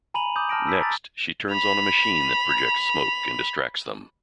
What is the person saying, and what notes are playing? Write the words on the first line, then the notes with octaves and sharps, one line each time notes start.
Next, she turns on a machine that projects smoke and distracts them.
G#5 A#5 B5 D#7 F7 F#7
D6 D#6 G6
A5 F6 A#6 D7
B5 E6 B6
A#5 D6 A6
B5 F7